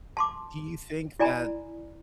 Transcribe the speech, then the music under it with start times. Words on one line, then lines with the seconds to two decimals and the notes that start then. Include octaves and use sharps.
do you think that
0.17 A5 C6 D6
1.19 E4 D5 G#5 A#5 B5